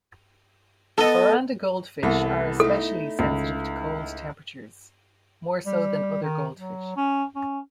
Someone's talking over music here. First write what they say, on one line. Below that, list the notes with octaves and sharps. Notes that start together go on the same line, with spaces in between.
Oranda goldfish are especially sensitive to cold temperatures, more so than other goldfish.
B3 A4 D#5
C2 E3 B3 A4
A3 D#4 E4 A4
C#2
G3
D#3
F#3
C#4
C#4